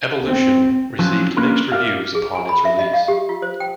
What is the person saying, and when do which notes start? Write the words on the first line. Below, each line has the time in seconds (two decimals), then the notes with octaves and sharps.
"Evolution" received mixed reviews upon its release.
0.24 C4
0.99 D3 F3 F#3 C4 C#4 F4
1.37 A#3 C#4 D4 F4 A#4 B4
1.72 G4 A#4 D5 E5 F5
2.15 G#4
2.35 G#5
2.49 B5
2.65 E5
2.79 D#5
2.94 F5
3.08 G4
3.29 F4
3.42 C5
3.60 G5